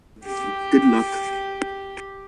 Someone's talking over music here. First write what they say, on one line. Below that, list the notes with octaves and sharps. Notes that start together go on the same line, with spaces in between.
Good luck !
G4